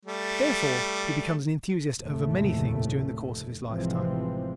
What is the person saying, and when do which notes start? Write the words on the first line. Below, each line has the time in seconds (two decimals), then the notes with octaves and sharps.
Therefore he becomes an enthusiast over many things during the course of his lifetime.
0.05 G3 A3
2.01 F1 D#2 A2 C#3 A3
3.65 A1 C3 E3 F3 G#3 C4